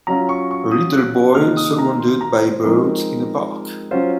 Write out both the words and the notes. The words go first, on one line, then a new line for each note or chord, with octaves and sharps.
A little boy surrounded by birds in a park.
F#3 C#4 F4 A#5
C#6
C#6
D#6
F#6
C3 D#3 A#3 D#4 F6
D#6
A#5
C6
A#5
C5
F3 G#3 C4 D#4 A#4
F#3 C#4 F4 C5